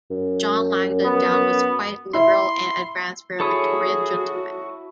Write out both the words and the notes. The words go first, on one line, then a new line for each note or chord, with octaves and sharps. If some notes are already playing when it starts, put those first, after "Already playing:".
John Langdon Down was quite liberal and advanced for a Victorian gentleman.
F#2
B3
E4 E5 C6
E4 F#4 G#4 A4 C#5 D#6